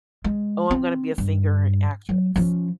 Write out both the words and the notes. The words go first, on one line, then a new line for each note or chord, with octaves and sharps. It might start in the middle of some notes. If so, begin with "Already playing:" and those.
"Oh, I'm gonna be a singer and an actress,"
G#3
C4
G2
F#3
F3 C#4